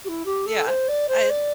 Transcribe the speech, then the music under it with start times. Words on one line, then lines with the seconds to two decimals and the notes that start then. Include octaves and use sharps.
Yeah. I'd
0.05 G4
0.08 E4
0.26 G4
0.46 A4
0.67 C5
0.88 D5
1.09 C5
1.29 D5